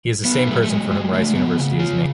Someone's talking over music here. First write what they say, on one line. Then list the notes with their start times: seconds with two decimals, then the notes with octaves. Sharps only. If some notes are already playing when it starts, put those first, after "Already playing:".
He is the same person for whom Rice University is named.
0.25 F#3 B3
0.47 A3
0.62 A3
0.69 F#3 G#3
0.91 G#3
1.13 C#3 A3
1.35 B3
1.57 C#3
1.79 F4